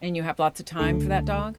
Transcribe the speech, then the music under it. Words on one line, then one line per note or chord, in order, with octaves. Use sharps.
And you have lots of time for that dog?
C#2 D3 A3 A4